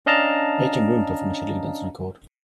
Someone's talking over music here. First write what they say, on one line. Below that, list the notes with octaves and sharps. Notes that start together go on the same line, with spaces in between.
Eight young women perform a cheerleading dance on a court.
C#4 D4 D#5 F5 A5 A#5